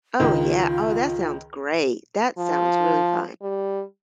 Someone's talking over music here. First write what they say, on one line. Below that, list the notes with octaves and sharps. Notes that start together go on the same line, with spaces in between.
Oh, yeah, oh, that sounds great. That sounds really fun.
C#2 D#3 F4
F3
G3